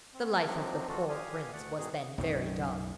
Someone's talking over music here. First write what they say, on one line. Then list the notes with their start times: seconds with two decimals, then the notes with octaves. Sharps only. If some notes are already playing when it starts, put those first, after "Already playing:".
The life of the poor prince was then very dull.
0.14 C4
0.47 F3 F#3 C4 D4 D#4
0.89 E3 G#3 D4 F4 F#4 A4
1.09 D3 G4 F5 G#5 D#6
1.53 D2 A3 D5 F#5
1.78 G#2 B2 D#3 E3 D#4 G#4
2.18 B1 F#2 D#3